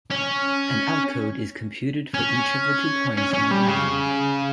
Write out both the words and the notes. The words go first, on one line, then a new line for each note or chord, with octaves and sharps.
An outcode is computed for each of the two points in the line.
C#4
C#4
C#4
C#4
G3
C#3